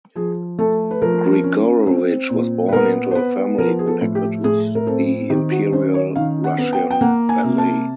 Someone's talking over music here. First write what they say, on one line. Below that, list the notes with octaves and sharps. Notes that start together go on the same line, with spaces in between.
Grigorovich was born into a family connected with the Imperial Russian Ballet.
F3 G#4
A3 A4
B4
F3 A#4
C#4
C4
A#2
B4
B3 A#4
C5
B3 B4
F3 A#4
G#4
A4
A2
G4
A2 G#4
A#4
C4 A4
D#3 G4
F#4
C#4 C5
C#5
D#3 F5
F#5
B3
G5
G5
A#3 F#5
G#5
C3
A5